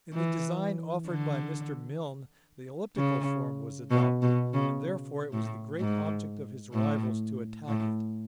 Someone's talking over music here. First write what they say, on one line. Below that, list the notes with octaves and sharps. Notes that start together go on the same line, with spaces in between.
In the design offered by Mr. Mylne the elliptical form was adopted, and therefore it was the great object of his rivals to attack it.
E3
D3
C#3
B2
B2
C#3
A2
G#2
A2
A2